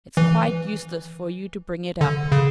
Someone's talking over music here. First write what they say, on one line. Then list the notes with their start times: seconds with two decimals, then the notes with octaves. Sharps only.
It's quite useless for you to bring it up.
0.17 E3
2.01 D3
2.32 C#3